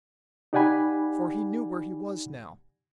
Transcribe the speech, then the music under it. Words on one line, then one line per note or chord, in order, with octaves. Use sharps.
For he knew where he was now.
D#4 G4 D5 F#5 G#5 B5